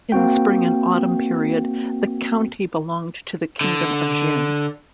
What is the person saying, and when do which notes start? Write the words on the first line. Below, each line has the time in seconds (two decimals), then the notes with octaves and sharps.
In the Spring and Autumn period, the county belonged to the kingdom of Jin.
0.12 A#3 C4 F#4 G5
3.61 D3